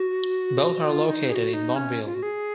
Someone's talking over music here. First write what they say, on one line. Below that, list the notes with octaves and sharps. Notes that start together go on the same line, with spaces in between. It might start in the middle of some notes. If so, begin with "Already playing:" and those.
Both are located in Boonville.
Already playing: F#4
F#4
F4
D#4
G#4
F#4
D#4
C#4
F4
F#4
G#4